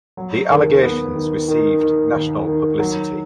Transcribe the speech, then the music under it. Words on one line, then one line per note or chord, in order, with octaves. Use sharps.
The allegations received national publicity.
F#3
D#2
B3
D#3
D#3
D#3
D#2
D#3
F#3